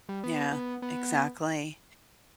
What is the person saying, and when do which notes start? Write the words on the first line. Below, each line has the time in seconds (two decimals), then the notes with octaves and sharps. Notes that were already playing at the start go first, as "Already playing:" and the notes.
Yeah, exactly.
0.09 G3
0.24 B3
0.52 B3
0.82 B3